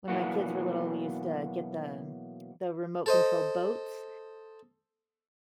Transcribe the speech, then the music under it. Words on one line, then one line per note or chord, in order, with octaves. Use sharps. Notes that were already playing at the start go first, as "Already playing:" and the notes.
When my kids were little, we used to get the the remote control boats,
B2 E3 F#3 A#3 B3 F#4
A4 C5 D#5